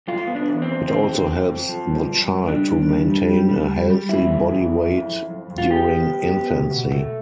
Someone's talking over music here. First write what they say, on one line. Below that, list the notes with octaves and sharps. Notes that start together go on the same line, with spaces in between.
It also helps the child to maintain a healthy body weight during infancy.
F2 F4
B3
D4
E3
C4
F2
D3 C4
D3
F2
F2
F3
G2
G2
G2
G3 D4
D3
G3
G3
G3
G3
G3
G3
F2 E4
F2
F2
F2
F2
F2
F2
F2
F4
B3 G4
B3
B3
B3
B2
B2
A3